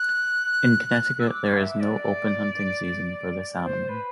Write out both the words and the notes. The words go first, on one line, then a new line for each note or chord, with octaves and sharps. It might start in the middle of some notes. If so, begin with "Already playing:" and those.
In Connecticut there is no open hunting season for this animal.
Already playing: F#6
E6
D6
F#5
E5
D5
C5
B4